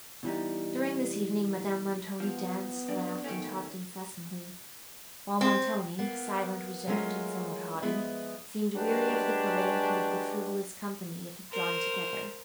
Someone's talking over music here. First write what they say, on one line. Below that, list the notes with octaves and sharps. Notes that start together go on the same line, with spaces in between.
During this evening, Madame Montoni danced, laughed and talked incessantly; while Montoni, silent, reserved and somewhat haughty, seemed weary of the parade, and of the frivolous company it had drawn together.
B2 E3 G3 D#4
F3 B3
F2 D4
D#3 A3 C#4
C4
A#3 B3
F#3 G#3 A3 C#4 F4 A#4
F3 G#3 B3 G#4 B4 E5
F#3 G#3 C#4 D4 G4 B4
A#4 C5